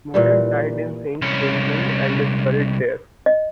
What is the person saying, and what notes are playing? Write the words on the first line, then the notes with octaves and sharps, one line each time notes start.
Mouton died in Saint-Quentin and is buried there.
A#2 E3 G3
C2 C#4
D#5